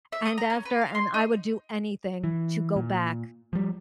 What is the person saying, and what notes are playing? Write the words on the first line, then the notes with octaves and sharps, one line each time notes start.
and after and I would do anything to go back.
E5
D#6
A#5
C#4
B4
F5
C6
D#4
E3
A#2
F3 G3